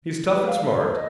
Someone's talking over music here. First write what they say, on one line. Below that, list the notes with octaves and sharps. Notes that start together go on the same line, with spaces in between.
He's tough and smart.
B4
F5
A4
B4
D#5